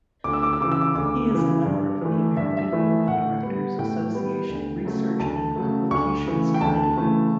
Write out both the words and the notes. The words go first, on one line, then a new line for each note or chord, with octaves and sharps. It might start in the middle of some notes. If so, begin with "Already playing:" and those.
He is a member of the American Choral Directors Association Research and Publications Committee.
D2 D6
E6
D6
E6
C#3 E3 D6
E6
D6
D2 D6
C#3 E3
G2
E3 A3
G2 E5
E5
E3 A3
A2 F#5
G3 B3
A2 G5
G3 B3
D2
C#3 F#3 A3
D2 A5
C#3 F#3 A3
D2 C#6
C#3 E3 A3
G5
D2 A5
C#3 E3 A3